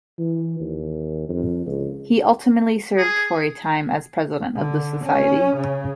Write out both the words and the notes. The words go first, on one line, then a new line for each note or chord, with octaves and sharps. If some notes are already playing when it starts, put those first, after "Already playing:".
He ultimately served for a time as president of the society.
E3
D#2
F2
C#2
G#4
D3
C#4
C#3